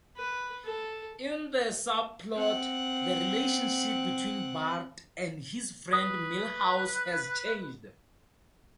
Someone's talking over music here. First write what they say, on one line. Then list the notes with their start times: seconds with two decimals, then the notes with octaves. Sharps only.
In the subplot, the relationship between Bart and his friend Milhouse has changed.
0.16 B4
0.65 A4
2.35 C4 F#5
5.93 B4 D#6